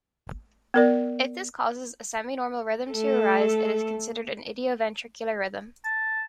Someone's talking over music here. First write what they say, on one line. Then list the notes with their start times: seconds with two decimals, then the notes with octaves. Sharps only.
If this causes a semi-normal rhythm to arise it is considered an idioventricular rhythm.
0.74 B3 A#4 D5
2.91 A3 A4
5.84 A5